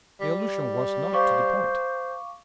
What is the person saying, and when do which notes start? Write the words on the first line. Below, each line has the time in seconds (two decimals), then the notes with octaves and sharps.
The allusion was not to the point.
0.20 G3
1.13 C5 F5 C#6 D6